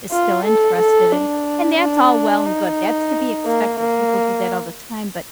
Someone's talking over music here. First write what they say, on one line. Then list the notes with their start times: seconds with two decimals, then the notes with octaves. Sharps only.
is still interested and and that's all well and good, that's to be expected. People do that all the time, but
0.12 F4
0.45 A4
0.79 A4
1.13 D4
1.79 D4
2.46 D#4
3.46 A#3
3.80 A#3